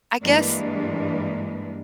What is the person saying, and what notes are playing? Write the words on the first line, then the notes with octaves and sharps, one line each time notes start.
I guess,
G2 E3 G3 G#3 A#3 D4